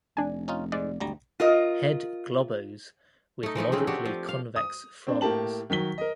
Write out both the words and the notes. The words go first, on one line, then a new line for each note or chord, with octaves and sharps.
Head globose with moderately convex frons.
F1 D4 G#5
C#4 D#4 F4
G#2 G#3 D5
G#1 D2 G3 A#5
F4 A#4 D#5
A3 D#4
E3 F3 A3 D#4
C#3 A3 C4 G#4
D4 F#4 G4
F3
F5
D#6
C4 D4
A2 A#3 G4 A5 F#7
D#3 F#3 B6 G7
A#4 D#5